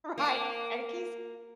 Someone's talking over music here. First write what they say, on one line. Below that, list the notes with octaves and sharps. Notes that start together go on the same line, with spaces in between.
Right? And he Keith's
A#3